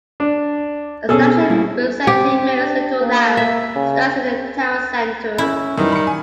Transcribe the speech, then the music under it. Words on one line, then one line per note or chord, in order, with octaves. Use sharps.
A statue representing Mary's Little Lamb stands in the town center.
D4
B2 C4 C#4 G#4 A4
A#2 G3 E4
C4 G4
D4
A#3
E5
C#3
C4
C#4 E4
F#2 D#3 E3 G3
B5 C#7
G#5